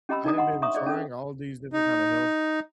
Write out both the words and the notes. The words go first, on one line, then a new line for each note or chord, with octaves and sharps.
I had been trying all these different kind of health st
C#4 G4 D#5 A#5 B5 E6
D4 D#4 A#4 D#5 A#5 D#6
D#5 F#5 A#5 C6
C#5 E5 A#5 C6 C#6 D#6
G#4 C5 D5 D#5
C#4 D4 A4
D#4